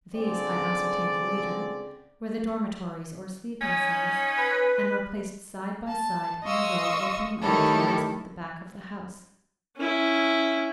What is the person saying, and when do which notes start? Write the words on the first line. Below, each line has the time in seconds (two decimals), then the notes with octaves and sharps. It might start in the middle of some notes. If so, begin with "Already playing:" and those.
These, I ascertained later, were the dormitories, or sleeping-cells, and were placed side by side in a row opening on the terrace at the back of the house.
0.15 C#2 D3 C4 G#4 D5
3.62 C#4 D#4 C#5
4.37 B4
5.88 A5
6.43 D#5 F5 C6 C#6 D#6 E6
7.40 D#3 A3 E4 G4 A4 C#5
9.77 C#4 E4